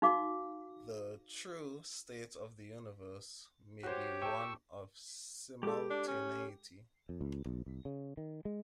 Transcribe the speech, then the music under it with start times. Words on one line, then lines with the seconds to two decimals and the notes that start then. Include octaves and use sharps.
The 'true' state of the universe may be one of simultaneity.
0.02 D#4 F#4 F5 D6
3.83 F#4 G4 C5 C#5
4.22 G5 A5 C#6 E6
5.63 G#3 G4 A4 D6
5.90 D4
6.08 C#4
7.09 F2
7.21 C#2
7.46 B1
7.66 C2
7.85 C#3
8.17 D#3
8.45 G#3